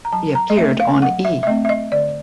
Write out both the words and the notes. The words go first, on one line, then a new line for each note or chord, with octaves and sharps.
He appeared on E!
A#5
F#3 A5
A#5
D#5
A3 C4 E5
F5
F#3 F#5
E5
E5
A3 C4 D#5
E5
D#5
D3 D5